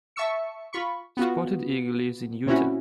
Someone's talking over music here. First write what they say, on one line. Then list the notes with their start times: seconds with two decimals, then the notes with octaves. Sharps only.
Spotted Eagle lives in Utah.
0.16 E5 A5 C#6 E6 C#7
0.73 F4 B5 C#6
1.17 B3 F4 F#4
2.46 A#2 C4 C#4 E4 F#4